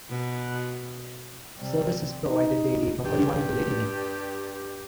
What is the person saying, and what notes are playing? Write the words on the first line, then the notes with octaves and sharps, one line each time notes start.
Service is provided daily from early morning to late evening.
B2
C3 G3
D#4
G2 G4